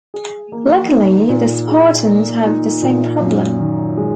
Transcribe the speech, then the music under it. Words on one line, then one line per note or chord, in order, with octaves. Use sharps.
Luckily, the Spartans have the same problem.
G#4
A#3
D#4
A#2
G#4
A#3
D#4
A#2
F#2
D#3
G#3